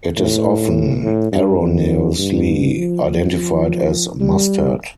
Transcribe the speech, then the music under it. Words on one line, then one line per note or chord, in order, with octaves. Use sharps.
It is often erroneously identified as mustard.
A2
A2
G2
F2
G2
F3
F3
G3